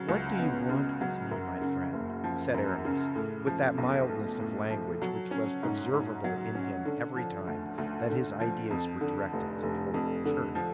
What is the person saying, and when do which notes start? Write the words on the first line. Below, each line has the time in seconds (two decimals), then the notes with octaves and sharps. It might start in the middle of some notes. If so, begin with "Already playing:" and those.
"What do you want with me, my friend?" said Aramis, with that mildness of language which was observable in him every time that his ideas were directed toward the Church.
Already playing: C#3 F#3
0.09 C#2
0.39 B3
0.69 C#3
1.01 F#3
1.31 F#2
1.61 C#3
1.93 F#1
2.24 F3
2.54 F#2
2.85 C#3
3.16 A2
3.47 F3
3.78 B1
4.08 A3
4.40 A2
4.70 F3
5.02 F#3
5.31 C#4
5.63 G#2
5.94 G#2
6.24 F#3
6.55 C#4
6.85 D3
7.16 F3
7.47 D2
7.78 D2
8.10 D3
8.40 F3
8.71 F2
9.01 D3
9.33 F1
9.63 F1
9.94 F2
10.25 D3
10.55 F3